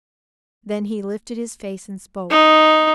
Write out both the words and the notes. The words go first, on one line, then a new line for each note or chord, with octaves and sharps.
Then he lifted his face and spoke.
D#4